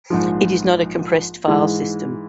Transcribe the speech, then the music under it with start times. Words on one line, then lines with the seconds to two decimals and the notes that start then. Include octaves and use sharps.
It is not a compressed file system.
0.10 A#1 G#2 F3
1.48 G#2 E3 G#3